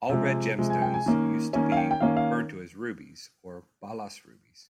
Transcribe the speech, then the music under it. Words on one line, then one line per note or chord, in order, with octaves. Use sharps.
All red gemstones used to be referred to as rubies or "balas rubies".
C3 F3 G#3
C3 F3 G#3
G#5
G5
G#5
D#3 A#3 C#4
D#3 A#3 C#4 G#5
F5
G5
G5
D#3 A#3 C#4 F5
F5